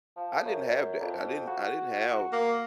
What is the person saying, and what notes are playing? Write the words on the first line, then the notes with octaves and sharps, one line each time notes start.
I didn't have that I didn't I didn't have
F3
F#2
F2
F#4
A#3